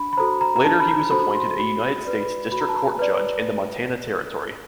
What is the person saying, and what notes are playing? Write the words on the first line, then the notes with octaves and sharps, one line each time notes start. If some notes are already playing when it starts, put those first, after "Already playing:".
Later he was appointed a United States District Court judge in the Montana Territory.
Already playing: D4 B5
B5
F#4 A4 C5 A#5
A#5
A#5
D4 A5
B5
A#5
F#4 A4 C5 B5
C6
F#4 B5
B4 D5
B5
F#4 B5
A#5
A5
A#5
B4 D5